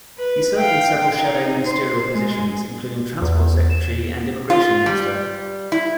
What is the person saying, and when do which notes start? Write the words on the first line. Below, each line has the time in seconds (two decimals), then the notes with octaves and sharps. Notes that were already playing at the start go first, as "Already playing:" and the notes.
He served in several shadow ministerial positions, including Transport Secretary and Immigration Minister.
0.18 B4
0.58 F5 G5
1.17 D#4
1.65 C5
2.11 G#3
3.22 E2
3.70 E7
4.50 F4
4.86 G3
5.72 E4